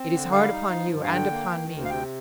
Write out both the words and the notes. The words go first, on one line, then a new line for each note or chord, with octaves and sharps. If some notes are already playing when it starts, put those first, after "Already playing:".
It is hard upon you,--and upon me.
Already playing: C4
D3
G3 F5
D#4
F3
G2
F5
D3 G5
A#3
D#3
D2
F5
C3 G5